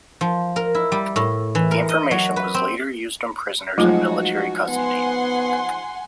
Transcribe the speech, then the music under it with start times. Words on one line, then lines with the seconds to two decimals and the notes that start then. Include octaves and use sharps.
The information was later used on prisoners in military custody.
0.21 F3
0.56 A#4
0.75 E4
0.92 G3
1.16 A2
1.55 E3
1.71 A#4
1.89 D#5
2.11 F#3
2.36 B4
2.54 C4
3.78 F3 F#3 G#3 A3 D#4 F4 F#4
4.68 B3 F#5 G#5 C6